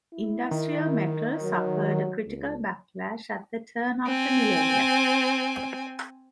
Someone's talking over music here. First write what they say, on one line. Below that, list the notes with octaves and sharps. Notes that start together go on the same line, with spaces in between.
Industrial metal suffered a critical backlash at the turn of the millennium.
E4
D#3
F#3
C#2
C4 G#5